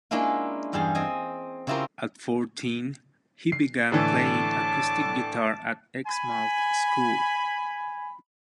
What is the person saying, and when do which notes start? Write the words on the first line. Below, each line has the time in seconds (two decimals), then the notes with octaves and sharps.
At fourteen he began playing acoustic guitar at Exmouth school.
0.11 G#3 A#3 C#4 D4 E4 F4
0.73 E2 G2 G3 G#4 F5 A5
0.95 C4 D#5 G#5
1.67 C#3 C4 E4 F4 G4 A#4
3.52 C7
3.92 A2 D3 E3 A5 D6
6.07 G#5 B5